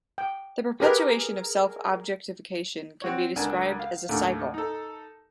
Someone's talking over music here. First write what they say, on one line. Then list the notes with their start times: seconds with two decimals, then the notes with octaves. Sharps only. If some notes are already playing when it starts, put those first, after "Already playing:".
The perpetuation of self-objectification can be described as a cycle.
0.18 G5
0.80 G4 G#4 A#4 B4
3.02 C4 F#4 C#5
3.36 C#2 D3 D4 A#4 G#5 A5
3.79 F5
4.09 D#2 A2 D3 A3 A#3
4.54 D#4 A4